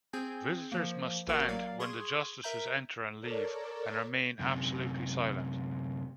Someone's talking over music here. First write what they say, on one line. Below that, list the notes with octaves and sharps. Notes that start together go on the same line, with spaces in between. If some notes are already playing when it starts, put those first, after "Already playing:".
Visitors must stand when the Justices enter and leave, and remain absolutely silent.
C4 G#4 G#5 G6 G#6
F3 A#3
A1 A#3 F#4 A#4 F#5 C#6
F#3 A#3 A#4 D5 F5
G#4 C6 C#6 D#6 G#6
A#4 E5 A#5 G6
A4 A#4 C#5 D5
F#2 C3